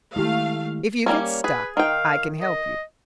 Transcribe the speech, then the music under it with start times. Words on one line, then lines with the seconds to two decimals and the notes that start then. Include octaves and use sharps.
If you get stuck I can help you.
0.16 D#3 G#3 A3 E4 G4 F5
1.06 G3 A#3 C#4
1.44 G#4 B4
1.77 D#3 F5 G5
2.41 D#5